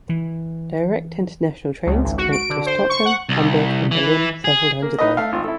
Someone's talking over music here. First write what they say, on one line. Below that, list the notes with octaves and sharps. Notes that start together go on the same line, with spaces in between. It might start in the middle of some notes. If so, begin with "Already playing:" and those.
Direct international trains connect to Stockholm, Hamburg and Berlin several times a day.
E3
C#2
G#1
F#4
D7
D3
C5
C#6
F#5
C2
E3
G#4
A#3
D#4 B4 D#5
A3 F5
G#1 F4
E4 A4